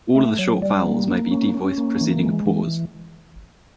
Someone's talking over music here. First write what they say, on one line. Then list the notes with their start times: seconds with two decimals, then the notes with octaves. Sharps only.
All of the short vowels may be devoiced preceding a pause.
0.16 A3
0.39 F#3
0.62 G3
0.85 A#3
1.08 A#3
1.31 C#4
1.54 C#4
1.78 A#3
2.01 E3
2.23 G#3
2.46 E3